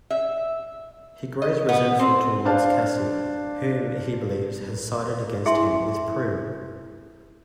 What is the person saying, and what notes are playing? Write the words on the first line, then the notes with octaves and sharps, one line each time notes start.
He grows resentful towards Cassie, whom he believes has sided against him with Prue.
E5
D#5
B3
C4
D4 C5 F5 A5
E4 G#4 E5 G#5 C6